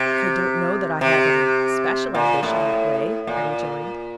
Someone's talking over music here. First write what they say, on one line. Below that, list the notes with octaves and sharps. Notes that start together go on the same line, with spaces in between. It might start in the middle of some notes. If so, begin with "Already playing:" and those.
'I don't know that I have any special ambition that way,' I rejoined.
Already playing: C3
C3
A#2
A2
A#2